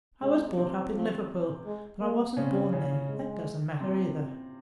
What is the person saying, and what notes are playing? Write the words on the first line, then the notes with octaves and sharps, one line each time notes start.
I was brought up in Liverpool, but I wasn't born there; that doesn't matter either.
C3 G#3 C4
C3 C4
F3
G#3
A#3
C#3 C4 C#4
C#3 C#4
G#3
C3 C4